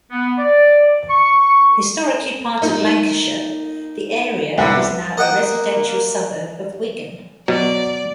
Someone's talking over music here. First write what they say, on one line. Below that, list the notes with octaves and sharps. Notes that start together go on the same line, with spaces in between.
Historically part of Lancashire, the area is now a residential suburb of Wigan.
B3
D5
C#6
A#3 D#4 F4 A#4
C2 D3 B3 B4 E5 F#5
A#3 D#5 F#5 G5
B2 F#3 D5